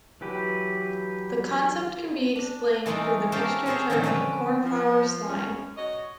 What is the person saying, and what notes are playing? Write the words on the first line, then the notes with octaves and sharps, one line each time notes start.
The concept can be explained through the mixture termed "cornflour slime".
E3 F#3 G4 B4
D4
E3 G#3 A3 D#4 F4 A#4
C#4 F4 G4 A4 A#4 C5
C4 F4 G#4 A4 C5 C#5
E2 A#2 D#3 F3 C4 C#4
D3 C#4 B4 D5 B5
F3
F#2 C#4
F#4 C#5 D#5